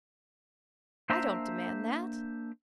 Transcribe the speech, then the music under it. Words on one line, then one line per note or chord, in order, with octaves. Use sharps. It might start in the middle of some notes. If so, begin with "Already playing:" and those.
I don't demand that.
A#3 D4 C5 E5 A#5